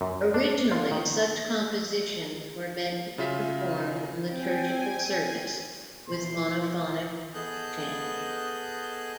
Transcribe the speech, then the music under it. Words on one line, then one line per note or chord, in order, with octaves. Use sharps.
Originally, such compositions were meant to be performed in liturgical service, with monophonic chant.
F#2
D4
F4
D#3
C#3 F4 E5 B6
C4 G5 G#5
B2 E3 F3 C6
B3 G#4 A4 D#5 F#6 G6